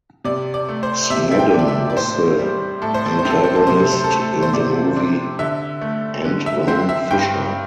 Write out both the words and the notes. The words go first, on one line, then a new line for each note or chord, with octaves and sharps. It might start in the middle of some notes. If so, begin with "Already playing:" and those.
Snedden was the antagonist in the movie "Antwone Fisher".
C3 D5
D5
A3
C5
C3 E5
E5
G5
D4
D5
E5
D5
A2 C5
G3
A2 A4
C5
A4
C5
C4
A4
C5
A4
C3 C5
A4
C5
A4
A3
C5
C3 D5
D4
D3 E5
A3
D3
E5
C4 C5
E5
G2 G5